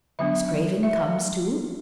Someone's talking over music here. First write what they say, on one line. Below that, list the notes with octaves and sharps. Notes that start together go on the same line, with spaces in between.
Miss Craven comes too?
D3 F#3 B3 D4 E5
E5
F5